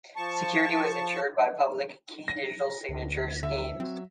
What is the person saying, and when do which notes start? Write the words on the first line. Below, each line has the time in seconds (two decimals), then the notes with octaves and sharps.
Security was ensured by public key digital signature schemes.
0.16 F3 A5 C#6
2.28 A#6
2.89 D2
3.43 D3 E5
3.80 F#3 C4